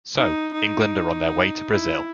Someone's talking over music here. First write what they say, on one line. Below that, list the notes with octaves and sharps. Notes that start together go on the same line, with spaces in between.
So, England are on their way to Brazil.
D#4
D#4
E4